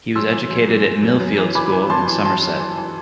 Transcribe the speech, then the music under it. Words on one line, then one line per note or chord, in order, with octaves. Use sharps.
He was educated at Millfield School in Somerset.
F#2 C6 E6
E3
F#2
F#2
F#2
F#2
F#2
E3
E3 B5 D6
E3
F#2 A5 C6
E3
E3 A5 C6
F#2
E3
E3